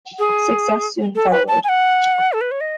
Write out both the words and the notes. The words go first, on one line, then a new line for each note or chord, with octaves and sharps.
Success soon followed.
G#4
A4
B4
A5
G#5
F#5
A4
B4
C#5
D#5